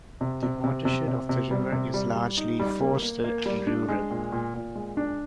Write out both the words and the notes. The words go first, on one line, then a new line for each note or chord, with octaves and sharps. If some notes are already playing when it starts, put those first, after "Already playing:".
The watershed of the river is largely forested and rural.
C3
C3
C3
C3
C3
C3
G3
C3
G3
G3
D#4
G3
A#3
A#3
A#3
G3
D4
G#3
A#2
A#2
A#2
G#3
D4